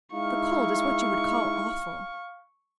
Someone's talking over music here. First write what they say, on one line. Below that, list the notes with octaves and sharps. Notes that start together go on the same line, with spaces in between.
"The cold is what you would call awful."
G#3 D#4 E4 F5 C#6